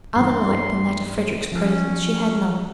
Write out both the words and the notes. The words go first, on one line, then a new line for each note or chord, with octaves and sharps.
Other light than that of Frederick's presence she had none.
G2 E3 C6
F3 C#4